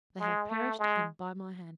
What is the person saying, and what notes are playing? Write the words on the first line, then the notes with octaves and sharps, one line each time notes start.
They have perished, and by my hand.
G#3
A3
G#3